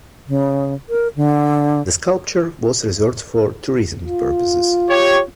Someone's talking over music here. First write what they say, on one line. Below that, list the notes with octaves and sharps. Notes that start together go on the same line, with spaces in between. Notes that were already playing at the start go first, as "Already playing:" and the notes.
The sculpture was reserved for tourism purposes.
C#3
A#4
D3
F4
G4 C#5